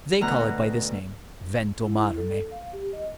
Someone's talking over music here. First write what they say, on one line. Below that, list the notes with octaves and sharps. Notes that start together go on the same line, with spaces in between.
They call it by this name--Ventomarme.
D2 B2 A#5 F#6
E4
A4
F5
G4
D#5